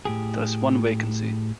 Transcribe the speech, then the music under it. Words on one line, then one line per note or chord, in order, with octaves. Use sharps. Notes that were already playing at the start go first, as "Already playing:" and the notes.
There is one vacancy.
A2 G4 G#4